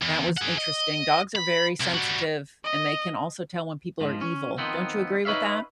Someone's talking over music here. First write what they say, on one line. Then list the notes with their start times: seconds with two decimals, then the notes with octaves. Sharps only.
that was interesting. Dogs are very sensitive, and they can also tell when people are evil. Don't you agree with that?
0.02 E2
0.38 G#4 F#5
0.58 D#5
1.36 B5
1.81 C2
1.95 G3 F#4
2.64 D#5
4.01 G#2 F3
4.21 C#4
4.58 D#3 F3 B3 C4
5.25 D#4 B4 C#5 E5 F5